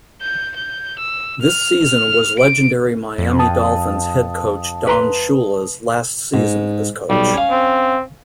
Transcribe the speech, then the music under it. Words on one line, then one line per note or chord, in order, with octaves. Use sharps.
This season was legendary Miami Dolphins head coach Don Shula's last season as coach.
G6
G6
E6
F6
F6
D7
F2
A5 D#6
B4 A#5 C6
G#2
B1 G3
C#4 F5
C4